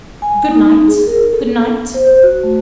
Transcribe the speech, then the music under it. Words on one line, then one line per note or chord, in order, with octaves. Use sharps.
Good-night. Good-night.
G#5
D#4
G#4
A#4
A4
B3
C5
C5
F#4
A3